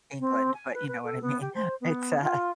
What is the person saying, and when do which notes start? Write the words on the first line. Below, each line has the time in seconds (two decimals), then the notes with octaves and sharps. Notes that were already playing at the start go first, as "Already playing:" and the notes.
England, but you know what I mean. It's uh
0.19 C4
0.53 G#5
0.73 B4
0.87 B4
1.03 A4
1.21 B3
1.40 G4
1.54 C5
1.80 B3
2.21 F4